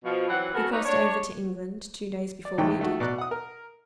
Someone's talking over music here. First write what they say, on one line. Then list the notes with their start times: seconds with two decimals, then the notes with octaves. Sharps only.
He crossed over to England two days before we did.
0.05 B2 F3
0.28 E3 F#3 C4 F#5
0.53 C#3 B3 F#4 A4 A#4
0.71 D#4 B4 C#5 D5
0.85 D4 C#5
2.45 D5
2.58 E2 G#2 D#3 A3 E4 G5
2.79 D#3 A3 F#4
3.00 B2 D5 A#5 F#6
3.18 F#5 D#6
3.31 A#4